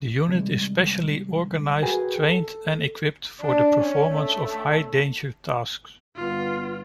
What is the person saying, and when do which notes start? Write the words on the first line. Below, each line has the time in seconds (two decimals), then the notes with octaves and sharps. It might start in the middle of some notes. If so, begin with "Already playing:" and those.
The unit is specially organized, trained and equipped for the performance of high-danger tasks.
0.28 C3 D#3 E3 G3 G#3
1.82 F#4 G#4 A#4 B4 G5 G#5
2.27 A4
3.40 D4
3.80 C#4
4.14 A3
6.16 G1 B3 F4